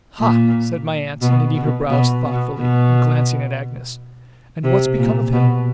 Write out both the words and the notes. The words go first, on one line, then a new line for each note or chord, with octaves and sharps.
'Ha!' said my aunt, knitting her brows thoughtfully, and glancing at Agnes. 'And what's become of him?'
A#2
B2
B2
B2
B2
B2
C3
A#2
B2